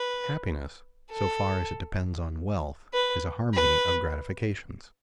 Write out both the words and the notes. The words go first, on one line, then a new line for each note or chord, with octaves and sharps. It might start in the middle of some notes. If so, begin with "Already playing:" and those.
Happiness, so far as it depends on wealth, is a harmony of gratifications.
Already playing: B4
A4
B4
B4